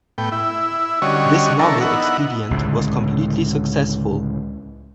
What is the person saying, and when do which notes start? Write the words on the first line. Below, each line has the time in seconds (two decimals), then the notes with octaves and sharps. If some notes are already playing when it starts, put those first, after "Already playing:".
This novel expedient was completely successful.
0.18 A2 B3 G5
0.32 E4
1.02 D3 G3 C#4 F#4 C#5 D#5
1.59 E3 D4 A4 A#4 C#5
1.81 B3 D#4 E4 F#5
2.51 C#2 A2 D3